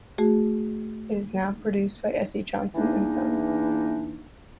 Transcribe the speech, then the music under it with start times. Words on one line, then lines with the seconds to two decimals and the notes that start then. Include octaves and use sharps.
It is now produced by S. C. Johnson and Son.
0.18 A3 F#4 G#4
2.75 E2 E3 A#3 D4 D#4